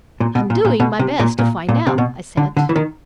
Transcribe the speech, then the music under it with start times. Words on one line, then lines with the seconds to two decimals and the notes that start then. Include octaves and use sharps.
"I'm doing my best to find out," I said.
0.20 A#2
0.35 B2
0.50 A#2
0.65 A#2
0.80 B2
0.99 C3
1.20 A#2
1.39 A#2
1.69 A#2
1.87 C3
1.98 B2
2.37 D3
2.57 D3
2.69 E3
2.76 D#3